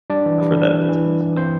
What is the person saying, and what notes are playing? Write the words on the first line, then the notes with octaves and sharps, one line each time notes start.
I've heard that a few times as well.
G3 D4 D5
E3
G3
G3
E3
E3
G3
E3
C4 C5